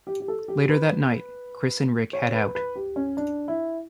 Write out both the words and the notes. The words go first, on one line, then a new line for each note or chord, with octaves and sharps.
Later that night, Chris and Rick head out.
G4
G4
A4
G4
B4
C#5
B4
B4
G4
C#4
D4
E4